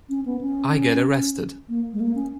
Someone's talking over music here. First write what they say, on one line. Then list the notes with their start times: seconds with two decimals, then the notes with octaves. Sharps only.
I get arrested.
0.09 C#4
0.26 B3
0.41 C#4
1.69 A#3
1.93 G#3
2.00 A#3
2.15 C#4